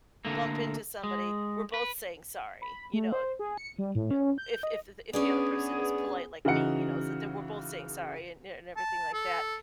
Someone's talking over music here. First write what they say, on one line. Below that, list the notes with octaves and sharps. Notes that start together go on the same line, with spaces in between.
bump into somebody, we're both saying "sorry," you know, y y you know, if if if the other person is polite like me, you know, so we're both saying sorry and and everything like that,
D3 A3 A#3
G#3
B4
B5
A3
C5
G#4
C#7
G3
A2
C#4
G6
D#5
B3 C#4 D4 G#4 D5
C#3 E3 D#4 F#4 F#5 C#7
A5
A4